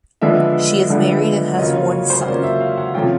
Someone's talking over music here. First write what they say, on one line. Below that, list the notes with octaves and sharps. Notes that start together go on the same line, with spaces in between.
She is married and has one son.
D3 F3 G#3 B3 D4 E5
D3 F3 G#3 B3 D4
C#3 F#3 A#3 C#4 F4 D#5
C#5
C#5
C5
C#3 F#3 A#3 C#4 F4 D5
E5
F5
F#5
C3 F3 A3 C#4 F4 G5